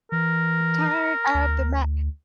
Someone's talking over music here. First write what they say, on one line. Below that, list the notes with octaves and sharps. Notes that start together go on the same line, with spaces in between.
Return of the Mac.
E3 A#4
D2